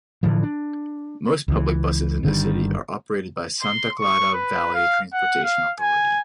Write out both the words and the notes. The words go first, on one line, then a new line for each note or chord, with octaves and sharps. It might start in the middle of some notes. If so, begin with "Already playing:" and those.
Most public buses in the city are operated by Santa Clara Valley Transportation Authority.
A2 D3 E3 F3
D4
C#2 E3
G1 D3 D#3 G3
C6
C#6
B4
F5
F#5
F5
G#5